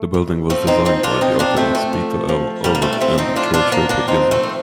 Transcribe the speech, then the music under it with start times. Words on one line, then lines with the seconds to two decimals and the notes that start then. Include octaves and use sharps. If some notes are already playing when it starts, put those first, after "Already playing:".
The building was designed by the architects Peter L. Allward and George Roper Gouinlock.
Already playing: A3
0.14 F2
0.50 F3 A3 C4
0.67 C4 D#4
0.85 F3 C4 D#4
1.03 D4 F4
1.21 F2 C4 D#4
1.39 A#3 D4
1.57 F2 A3 C4
1.75 A3
1.93 F3
2.29 F3
2.64 A2 G3 A#3
2.75 A#3
2.82 A3 C4
2.93 D4
3.00 F3 A3 C4
3.18 C4 D#4
3.35 F3 D4 F4
3.54 D4 F4
3.71 F3 A#3 D4
3.89 A#3 D4
4.07 F2 C4 D#4
4.31 A3 C4
4.43 D#3